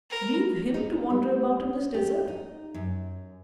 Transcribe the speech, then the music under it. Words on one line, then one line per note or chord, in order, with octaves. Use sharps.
Leave him to wander about in this desert!
A#4
D#4
G3
G4
D#4
F#2